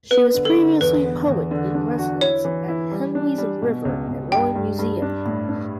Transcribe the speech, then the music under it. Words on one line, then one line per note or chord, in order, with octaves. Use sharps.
She was previously poet in residence at Henley's River and Rowing museum.
B3 B4
D3
A4
D3
E2 B4
B3
E2
D3
D4
F#4
E4 C#5
E3
E4
G3
D4
G3
B2
C#2
C#2
G2 G5
G2
G2
D4
A2
D4